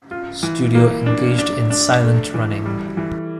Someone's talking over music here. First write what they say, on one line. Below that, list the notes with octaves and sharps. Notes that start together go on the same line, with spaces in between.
Studio engaged in 'silent running.
F4
E3
A#3
D4
D4
D4
A3
E3
G3
E3